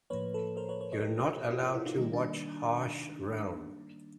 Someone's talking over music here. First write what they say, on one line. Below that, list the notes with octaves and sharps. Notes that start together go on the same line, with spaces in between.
You're not allowed to watch Harsh Realm'.
A2 F3 A#3 B4 C#5
A4 B4
A#4 C5
B4 C#5
B4 C#5
C#5 D#5
G4 A4
F4 G4
F4 G4
E4 F#4
D#4 F4
D#3 G3 A#3 D#4
D4